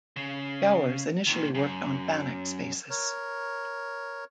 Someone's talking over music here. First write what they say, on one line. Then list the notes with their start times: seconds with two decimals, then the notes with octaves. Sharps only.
Gowers initially worked on Banach spaces.
0.16 C#3
1.27 A#2 D#3
1.55 F#2
2.89 A#4 C#5